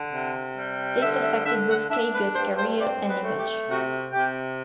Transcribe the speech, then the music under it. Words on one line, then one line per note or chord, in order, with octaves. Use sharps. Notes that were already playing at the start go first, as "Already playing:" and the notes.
This affected both Kago's career and image.
Already playing: D3
C3
G3
D3 E5
E5
D3 E5
F#5
D4 E5
B4
G2 C5
C5
C4 D5
B4
A3
G4
C3 F#4
C3 G4